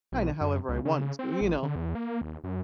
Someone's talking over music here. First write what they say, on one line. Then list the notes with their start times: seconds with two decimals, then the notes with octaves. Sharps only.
kinda however I want to, you know,
0.12 B1
0.41 F#2
0.69 C#2
0.85 C#3
1.19 C4
1.41 A1
1.63 D3
1.76 E2
1.95 A#3
2.21 D#2
2.44 F#2